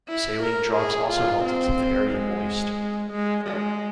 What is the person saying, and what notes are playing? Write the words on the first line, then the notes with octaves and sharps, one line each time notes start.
Saline drops also help to keep the area moist.
E4
A#4
G#4
F4
C4
G#3
G#3
G#3